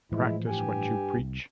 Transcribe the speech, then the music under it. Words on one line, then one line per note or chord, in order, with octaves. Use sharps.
Practice what you preach.
A2 E3 F3 G#3 E4
G2 G4 G#5
C2